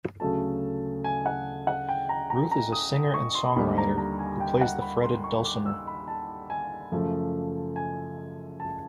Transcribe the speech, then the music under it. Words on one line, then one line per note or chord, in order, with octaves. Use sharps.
Ruth is a singer and songwriter, who plays the fretted dulcimer.
D2 C#3 F#3 A3 A5
G#5
F#5
F#5
G5
A#5
A#5
A#5
D#6
C#6
C6
D#2 D3 G3 B5
A#5
A#5
G#5
G5
F#5
B5
C6
C#6
D6
E6
B5
A5
G#5
F#2 C#3 F3 A3
G#5
A5